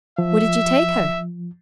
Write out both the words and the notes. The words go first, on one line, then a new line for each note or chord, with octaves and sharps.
'What did you take her?'
F3 E5